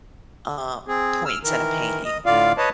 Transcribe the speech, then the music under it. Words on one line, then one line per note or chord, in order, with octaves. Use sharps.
um, points in a painting."
C4 G#4
E6 F6
D#3 E3 A#4
D#5
A2 D3 F4 D5 F5
B4 C#5 D#5 A5